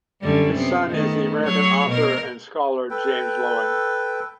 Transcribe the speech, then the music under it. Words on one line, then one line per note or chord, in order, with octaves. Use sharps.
His son is the American author and scholar James Loehlin.
F#2 D3 G3
C3 B3
D#3 A3 B3
F#3 C#5
B2 A#4
A4 B4 G5